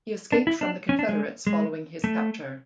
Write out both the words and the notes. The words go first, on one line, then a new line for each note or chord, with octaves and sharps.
He escaped from the Confederates following his capture.
D4
E4
D4
C#4
D4
G#3
G#3
A3